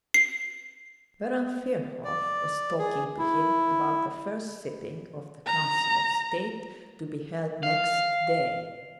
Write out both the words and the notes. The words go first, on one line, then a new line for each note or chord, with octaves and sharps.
Baron Firhoff was talking to him about the first sitting of the Council of State to be held next day.
C7
D5
G#4
E4
A#5
F5